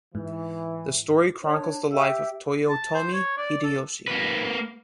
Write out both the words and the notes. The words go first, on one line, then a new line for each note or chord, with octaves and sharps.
The story chronicles the life of Toyotomi Hideyoshi.
G#2 E3
D4 C#5
G4 E5 G5 E6
A5
C5
C#5
D5
A4
A#3 B4